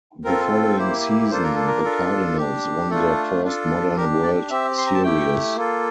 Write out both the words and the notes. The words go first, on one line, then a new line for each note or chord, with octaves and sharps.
The following season, the Cardinals won their first modern World Series.
C4 F4 A4 A#4
A#3 E4 G4 C5
A#3 D4 F4 A4 C5
A#4
A4
A#4
D4 F4 A4
D4 G4
A3 D4 F4 A4
D4 F4 A4
D4 G4 A#4
D5
C4 G4 E5
C6
A#5
A5
A3 E4 G4 G5
A#3 F4 A4